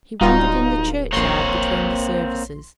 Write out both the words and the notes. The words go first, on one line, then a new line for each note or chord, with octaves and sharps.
He wandered in the churchyard between the services.
D1 G3 D#4 F4 F#4
A#1 A#3 C4 C#5 C6